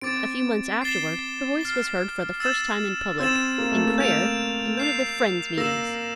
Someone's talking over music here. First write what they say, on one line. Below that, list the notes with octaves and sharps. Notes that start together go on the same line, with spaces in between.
A few months afterwards her voice was heard for the first time in public, in prayer, in one of the Friends' meetings.
C4 D6 A6 D7
A6 C7 E7 G7
F6 C7 G7
E6 A6 E7
C4 E6 A6 E7
A#3
A3
A#3
A#3 G6 D7 F7
G6 C7 F7
A#3 E6 A#6 E7